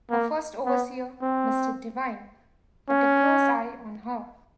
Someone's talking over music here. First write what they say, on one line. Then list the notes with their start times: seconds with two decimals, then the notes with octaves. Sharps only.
Her first overseer, Mr. Divine, kept a close eye on her.
0.11 A#3
0.66 B3
1.22 C4
2.89 C#4